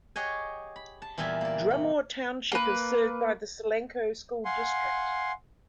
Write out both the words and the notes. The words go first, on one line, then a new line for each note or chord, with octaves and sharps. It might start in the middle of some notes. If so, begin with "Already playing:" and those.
Drumore Township is served by the Solanco School District.
G4 G#4 C#5 D#5 F#5 G#5
B5
A5
E2 A#2 G3 E5 G#5
A#3 D5
C3
A#3 B4
F5 F#5 G#5 C6